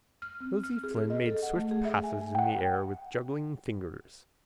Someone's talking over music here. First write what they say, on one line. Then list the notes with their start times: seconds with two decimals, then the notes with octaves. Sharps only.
Nosey Flynn made swift passes in the air with juggling fingers.
0.22 F6
0.41 C4
0.64 F6
0.84 G#4
1.10 D#5
1.26 A4
1.43 F#5
1.56 A3
1.71 G#4
1.85 E5
2.04 G#5
2.35 F#5 G5